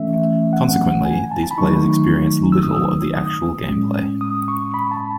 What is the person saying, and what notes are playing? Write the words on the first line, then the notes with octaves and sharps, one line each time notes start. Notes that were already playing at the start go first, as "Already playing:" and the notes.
Consequently, these players experienced little of the actual game play.
Already playing: E3 A3 C#4 E5
F#5
G#5
A5
A5
B5
D#3 F#3 A3 D#4 C#6
E6
D#6
D#6
A2 G#3 C#4
D#6
C#6
B5
A5